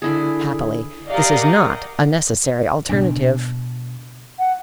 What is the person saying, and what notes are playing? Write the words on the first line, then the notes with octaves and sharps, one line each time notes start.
Happily, this is not a necessary alternative.
D3 E4 G#4
G4 A#4 D5 D#5 F5 F#5
B2 D4
F#5